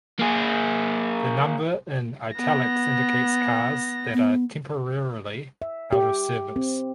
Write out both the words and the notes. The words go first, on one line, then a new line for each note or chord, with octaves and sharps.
The number in "Italics" indicates cars that are temporarily out of service.
A#3 G#4
B3 A#6
B3
E5
G4
C4